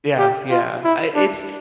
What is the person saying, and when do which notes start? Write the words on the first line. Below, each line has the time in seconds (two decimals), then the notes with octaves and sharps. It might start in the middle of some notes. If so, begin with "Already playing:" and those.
Yeah yeah, I it's
0.18 G4
0.51 F4
0.84 E4
1.15 D4